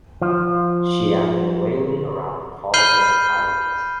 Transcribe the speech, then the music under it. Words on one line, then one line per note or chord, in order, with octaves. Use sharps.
She had been whaling around the Falkland Islands.
F3 F4
B5 F6 G6 C7 D#7 G7